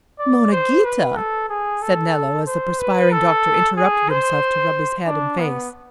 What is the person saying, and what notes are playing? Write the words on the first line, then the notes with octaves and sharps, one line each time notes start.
"Monna Ghita!" said Nello, as the perspiring doctor interrupted himself to rub his head and face.
D5
C5
B4
A4
G#4
A4
C5
B4
A4
G#4
C5
D4
B3